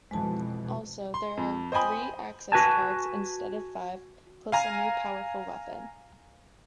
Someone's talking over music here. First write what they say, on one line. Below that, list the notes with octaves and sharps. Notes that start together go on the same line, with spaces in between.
Also there are three access cards instead of five plus a new powerful weapon.
F2 B2 E3 G#3 A5
C6
F2
C5 D#5 G5 G#5 B5 D#6
F#4 B4 G#5 A5
F5 G#5 A#5